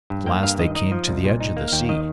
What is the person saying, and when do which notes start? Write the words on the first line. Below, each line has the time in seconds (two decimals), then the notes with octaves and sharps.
At last they came to the edge of the sea.
0.10 G2
0.26 A#3 G5
0.43 G2 F5
0.59 D#3 D#5
0.75 D#4 D#5
0.92 F3
1.08 C2
1.24 A#2
1.41 D#4
1.57 A#3
1.68 F5
1.72 D#2 G5
1.89 D#3 D#5